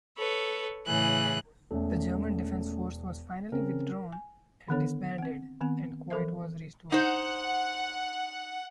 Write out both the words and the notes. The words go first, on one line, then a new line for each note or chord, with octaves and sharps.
The German defense force was finally withdrawn and disbanded and quiet was restored.
A4 B4 C#5
A2 C#3 E3 G#4 F#6
E1 A3 C#4 A4
C#3 C4 C#4 A#4
G#5
D3 D#3 B3 D4 A4 C#5
C4 F#5
D#3 B3 C4 G#5
E3 F3 A4 A#4 C5 E5
D#4 C5 F#5